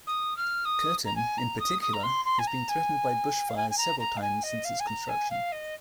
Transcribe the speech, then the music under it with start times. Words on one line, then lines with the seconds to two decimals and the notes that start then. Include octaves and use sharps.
Curtin, in particular, has been threatened by bushfires several times since its construction.
0.07 D#6
0.36 F6
0.65 D#6
1.05 A#5
1.16 G#5
1.38 A#5
1.59 D#6
1.81 D#6
1.93 A#5
2.03 C6
2.25 C6
2.39 G#5
2.47 A#5
2.69 G#5
3.49 F5
3.56 G#5
3.70 G#5
3.78 A#5
3.99 A#5
4.17 F5
4.22 G#5
4.43 D#5
4.65 F5
4.80 G#5
4.87 A#5
5.09 G#5
5.30 F5
5.52 D#5